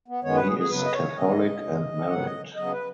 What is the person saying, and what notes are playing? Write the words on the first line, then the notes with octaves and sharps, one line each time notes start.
He is catholic and married.
B3
F#2 D#3 G#3 B3 C#5
B4
G#4
G#4
F#2 C#3 F#3 B3 B4
D#5
C#5
F#2 D#3 G#3 B3 D#5
F#2 C#3 G#3
G#2 D#3 F#3 B3 F#5
D#5
C#3 F#3 B3 D#5
G#4
B4